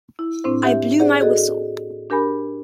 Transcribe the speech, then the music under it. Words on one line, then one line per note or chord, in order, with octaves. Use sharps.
I blew my whistle.
E4
A2 C4 D4 E4 C5
G4 E5 F#5
G#4 C5 D5 F#5
F#4 G#4 A4 D#5
D4 G4 A#4 G#5 B5